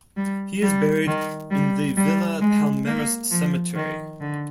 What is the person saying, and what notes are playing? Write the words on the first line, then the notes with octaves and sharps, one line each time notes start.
He is buried in the Villa Palmeras Cemetery.
G3
G3
D#3
G3
G3
G#3
A#3
F3
D#3
D3